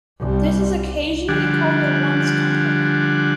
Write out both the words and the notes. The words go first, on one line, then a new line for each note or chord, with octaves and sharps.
This is occasionally called a ones' complement.
C2 G3
D3 F3 G3 D4 F#5 G#5